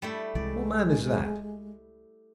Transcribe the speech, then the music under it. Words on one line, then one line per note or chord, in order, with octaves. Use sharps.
"What man is that?"
G3 A3 E4
C2 E3 G#3 D5